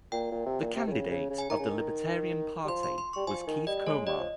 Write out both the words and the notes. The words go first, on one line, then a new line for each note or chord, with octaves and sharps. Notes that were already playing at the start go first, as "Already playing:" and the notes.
The candidate of the Libertarian Party was Keith Komar.
A#2 G5
A#2
C3
A#2
C3
D#3
C#3
C#3
C#3
G#5
D#3 A#5
C#3
D#3
G3
F3 C6
C6
C6
G3 C#6
F3 G#5
D#3
G3 D#5
G#3 C#5
G3 D#5
F3